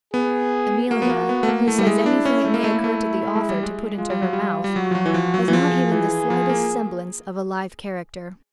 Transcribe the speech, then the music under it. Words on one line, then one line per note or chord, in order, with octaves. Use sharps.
Emilia, who says anything it may occur to the author to put into her mouth, has not even the slightest semblance of a live character.
B3 G#4
A#3 F#4
B3
A#3
B3
A3
A#3
A3 E4
G3
G#3
D4
C#4
A3
A#3
A3
A#3
A3
A3
G#3
G3
G#3
G#3 F4
G3
F#3
G3
G3
F#3 F#4
F3
F#3
E3
F3
F#3
E3
F3 G#4
E3
F3
A#3